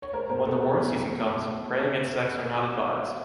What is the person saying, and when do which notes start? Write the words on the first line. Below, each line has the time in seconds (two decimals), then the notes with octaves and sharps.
When the warm season comes, praying and sex are not advised.
0.02 C#5
0.13 G#3 A#4 C5
0.29 B2 A#4 C5
0.45 B2 A4 B4
0.61 B2 G#4 A#4
0.77 B2
0.93 G#3
1.09 B2
1.25 B2
1.41 A3